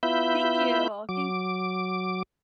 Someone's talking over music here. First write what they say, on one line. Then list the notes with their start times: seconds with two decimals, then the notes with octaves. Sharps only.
Thank you. Thank
0.03 B3 E4 F4 E5 B5 G6
1.09 F#3 D6